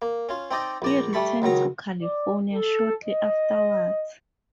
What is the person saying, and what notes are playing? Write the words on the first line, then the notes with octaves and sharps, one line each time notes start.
He returned to California shortly afterwards.
A#3
C#4 F4
C4 D#4 D5 D#5
A#1 D5 A#5
G3 A3 A5 B5 C#6
C#2 D#3 F#3 A#5
D5
A4
D#5